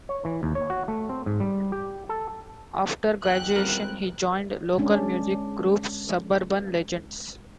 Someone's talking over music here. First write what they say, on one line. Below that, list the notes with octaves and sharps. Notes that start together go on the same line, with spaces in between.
After graduation, he joined local music group Suburban Legends.
C#5
E3
D#2
C#5
F#4
A3
C4
G#2
G3
G4
A4
E2 B3 F#4 E5 G5 F#6
G3 C4 F4 A#4
G#3 C#4 D4